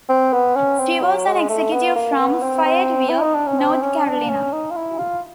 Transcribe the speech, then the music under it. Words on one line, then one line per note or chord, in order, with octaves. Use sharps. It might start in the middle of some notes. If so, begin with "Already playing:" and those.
She was an executive from Fayetteville, North Carolina.
C4
B3
C#4
C4
F#3
G#3
A3
B3
A#3
B3
C4
C4
E4
D#4
D4
C#4
C4
C#4
D4
C#4
D#4
F4
E4
F4